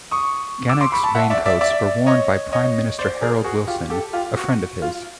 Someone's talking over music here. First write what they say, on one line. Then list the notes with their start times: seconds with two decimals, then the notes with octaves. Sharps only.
Gannex raincoats were worn by Prime Minister Harold Wilson, a friend of his.
0.11 C#6 D#6
0.69 D6 E6
0.81 C6 D6
0.92 B5 C#6
1.04 A5 B5
1.15 E5 F#5
1.30 D5 E5
1.46 D5 E5
1.61 D5 E5
2.06 C#5 D#5
2.53 C#5 D#5
2.99 C5 D5
3.21 G#4 A#4
3.44 F#4 G#4
3.67 F4 G4
3.90 G4 A4
4.13 F4 G4
4.36 F#4
4.82 F4